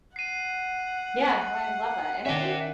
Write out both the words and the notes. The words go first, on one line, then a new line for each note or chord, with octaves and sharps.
Yeah, no, I love that. And I think
F#5 C7 D#7
D#3 C#4 D5 E5 G5